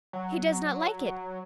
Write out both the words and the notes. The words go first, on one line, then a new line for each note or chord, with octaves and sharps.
He does not like it!
F#3